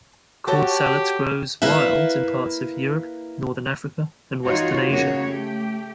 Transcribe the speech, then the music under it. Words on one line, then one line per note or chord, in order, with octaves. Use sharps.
Corn salad grows wild in parts of Europe, northern Africa and western Asia.
F#4 G4 A4 C#5
A#3 E4 B4 E5
E3 G3 D#4 F4 F#4 C#5
C#3 A#3 F#4 C#5
A3 G4